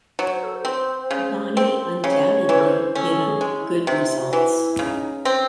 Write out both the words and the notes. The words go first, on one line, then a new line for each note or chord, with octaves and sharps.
Vanni undoubtedly given good results.
F#3 C#5
C5
A4
C5
C4
C#3
C4
C#3 C#5
C#5
E3
A4
C5
C#4 A4
G#4
G#3
D#4
E4
C3 E4
E4
F#4
E3
E4
C#3 D#4
C4